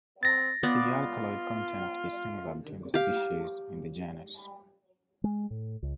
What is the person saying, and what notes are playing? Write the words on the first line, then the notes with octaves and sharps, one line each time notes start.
The alkaloid content is similar between the species in the genus.
C4 A6 A#6
B3 F4 D5
G4 F5
G#3
A2
C#2